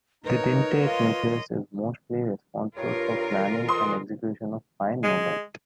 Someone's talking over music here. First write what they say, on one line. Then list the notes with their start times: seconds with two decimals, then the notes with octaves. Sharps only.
The dentate nucleus is mostly responsible for planning and execution of fine movement.
0.24 D#4 A#4 B4 C#5
0.84 F4 D#5 C6
2.76 G2 F4 A#4 C#5
3.69 F2 E3 C6 D#6
5.03 G#3